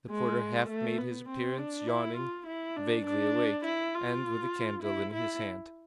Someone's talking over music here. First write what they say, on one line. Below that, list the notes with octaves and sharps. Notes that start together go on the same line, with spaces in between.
The porter half made his appearance yawning, vaguely awake, and with a candle in his hand.
G#3
A3
B3
C4
D4
E4
F4
E4
D4
D4
E4
F4
E4
E4